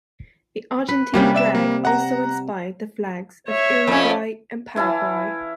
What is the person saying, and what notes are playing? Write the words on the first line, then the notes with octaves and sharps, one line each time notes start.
The Argentine flag also inspired the flags of Uruguay and Paraguay.
B4
C3 G3 A#3 C#4 G4 B4
D5 E5 E7
A#3
F#5 A#5
C#5 E5
F2 C#4
E3 E4 F5 A5